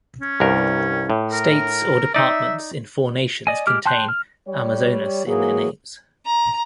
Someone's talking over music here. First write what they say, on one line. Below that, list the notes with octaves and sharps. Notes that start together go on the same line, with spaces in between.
States or departments in four nations contain "Amazonas" in their names.
C#4
C2 G2 A#4
A2
A#4
D#4 D5 E5
D5 D#5 G#5
G#3 G4 D6 F6
G5 A5 C6 F#6 G6
F6
G3 C#5
E3 F#3 A#3 G#4
A#5